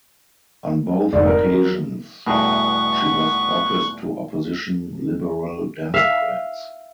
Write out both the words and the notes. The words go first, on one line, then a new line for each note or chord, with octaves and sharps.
On both occasions, she lost office to opposition Liberal Democrats.
F1 G#2 D3 D5
A#4
F#3
E2 G2 B2 A3 B3 E4 C#6 F#6
E5 F5